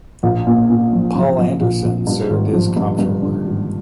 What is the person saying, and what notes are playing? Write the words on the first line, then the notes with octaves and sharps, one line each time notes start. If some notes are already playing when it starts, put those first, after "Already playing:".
Paul Anderson served as Comptroller.
A#1
A#2
A#2
F3
F3
F3
A#1
A#1
G2
G#1
F3
G2
G2
D3
G#1